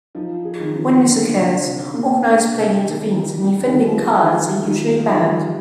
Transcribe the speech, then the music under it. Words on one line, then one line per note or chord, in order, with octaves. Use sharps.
When this occurs, organized play intervenes and the offending cards are usually banned.
F3 D#4
G#4
D#3
F3
D3 A#3
C3
C3
A#3
D4
C3
D#3 G4
G3
G3
D3
D#3
F3 G#4
G#3
D#3
G#3
D#3 F4
G#4
F3
D#3
G3